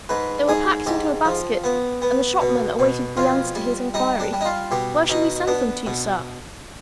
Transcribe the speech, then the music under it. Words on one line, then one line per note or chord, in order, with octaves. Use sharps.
They were packed into a basket, and the shopman awaited the answer to his inquiry, 'Where shall we send them to, sir?'
G#2 B4
G#2 G#4
G#2 G4
F3
B3
B3
B2
B2
F2 F4
G3
G3 D#4
D4
G3
D#4
F4
B2 G4
B2 D#4
B3 D4
B2